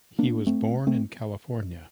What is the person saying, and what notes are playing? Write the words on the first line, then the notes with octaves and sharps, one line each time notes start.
He was born in California.
A#3 D4
A3 C4
A3 C4